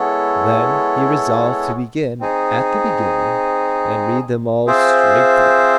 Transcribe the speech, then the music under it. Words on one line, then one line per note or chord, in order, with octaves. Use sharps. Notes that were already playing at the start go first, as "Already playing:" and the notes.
Then he resolved to begin at the beginning, and read them all straight through.
Already playing: G#3 B3 E4 A4 C#5
C4 D#4 G#4
C4 F4 G#4 C5 E5